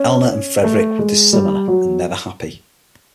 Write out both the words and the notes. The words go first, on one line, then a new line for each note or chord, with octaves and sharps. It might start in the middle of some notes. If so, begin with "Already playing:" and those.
Eleanor and Frederick were dissimilar and never happy.
Already playing: C#4
A3
G#3
G3
F#3